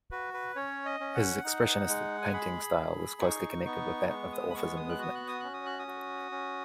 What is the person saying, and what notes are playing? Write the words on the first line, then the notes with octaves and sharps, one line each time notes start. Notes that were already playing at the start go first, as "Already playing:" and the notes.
His expressionist painting style was closely connected with that of the Orphism movement.
F#4 B4
B4
C#4 C#5
D#5
C#4
F#5
D#4
G#3
G#5
G#4 B5
G#4
D#4 C#6
B3 C#6
G#3 C#6
D#6
B5
B3 C#6
D#6
F#6
F#4 D#6
F#6
D#6
C#4 F#6
D#6
F#6
D#6
F#4
C#4